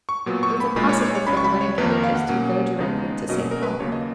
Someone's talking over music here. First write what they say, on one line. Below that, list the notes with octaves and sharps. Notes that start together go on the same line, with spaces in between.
It was impossible for the wedding carriages to go directly to Saint-Paul.
C#6
A#2 F#3 B3
C#6
B5
A#2 G#3 D#4 B5
C#5
C#5
C#5
C#2 C#3 G#3 B5
C#6
B5
C#5
F2 D#3 A#3 D#4 B4
A#4
F5
F#5
B2 F#3 A#3 C#4
D#2 C#3 G#3 B3 D#4
B2 F#3 A#3 C#4 D#5
A#4
B4
D#2 C#3 F#3 A#3 C#5
D#5